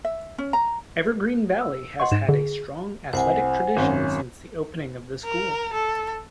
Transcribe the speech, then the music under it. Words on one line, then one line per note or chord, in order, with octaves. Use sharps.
Evergreen Valley has had a strong athletic tradition since the opening of the school.
E5
C#4
A#5
E6
D#5 F#5 C6 C#6
G#2 E7
D3 G#4
C2 C5 F#5 G#5
G#1 F#2 C#4
A#4
A4